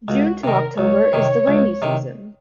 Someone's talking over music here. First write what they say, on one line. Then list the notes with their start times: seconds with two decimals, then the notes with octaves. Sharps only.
June to October is the rainy season.
0.08 C#2 F#4
0.43 C3 D#3 A#4
0.78 C#2 C#5
1.13 C3 D#3
1.47 C#2
1.82 C3 D#3